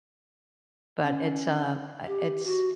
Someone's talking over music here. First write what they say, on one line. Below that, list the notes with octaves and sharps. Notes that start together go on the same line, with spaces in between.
but it's, uh uh, it's
C#4
G4
F#4